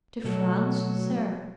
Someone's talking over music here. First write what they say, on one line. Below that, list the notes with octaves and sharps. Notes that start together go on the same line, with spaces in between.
"To France, sir?"
B2 F#3 A3 F#4 A4